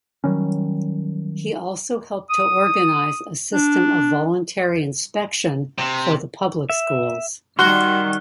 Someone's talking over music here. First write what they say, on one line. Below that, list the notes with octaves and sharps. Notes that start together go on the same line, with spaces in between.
He also helped to organise a system of voluntary inspection for the public schools.
D#3 F#3 G3 C#4
D#6
D4
C3
E5
D#3 G3 F#4 C6 F6 F#6 G7